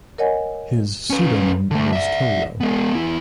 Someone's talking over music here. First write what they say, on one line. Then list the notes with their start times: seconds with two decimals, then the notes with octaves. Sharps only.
His pseudonym was "Tolo".
0.18 A#4 C#5 D#5 F#5 G#5
1.10 C#4 B4
1.71 D3 A3
1.93 D5 E5
2.61 G#3 B3
2.94 E2 E4